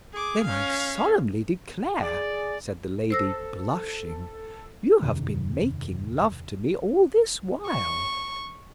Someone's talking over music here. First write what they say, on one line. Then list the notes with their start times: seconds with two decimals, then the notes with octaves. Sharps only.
Then I solemnly declare, said the lady, blushing, you have been making love to me all this while.
0.13 G#4 D6
0.45 C#4 F5
2.02 G#4 D5
3.11 A4 C5 E6 A#6
5.02 E1 F#2 C3 D#3
7.68 C#6